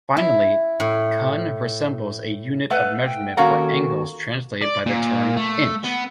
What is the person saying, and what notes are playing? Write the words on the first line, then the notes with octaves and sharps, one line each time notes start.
Finally, "cun" resembles a unit of measurement for angles translated by the term "inch".
E4
A2
A3 B4 F5 F#5
G5
D#2 C#4 F#4 A4 A#4 F5 F#5
D5
A#2
A3
B3